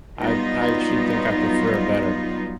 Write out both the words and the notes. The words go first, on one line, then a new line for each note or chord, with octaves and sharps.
I'd I actually think I prefer it better,
F#3 G3 B3 D#4 F4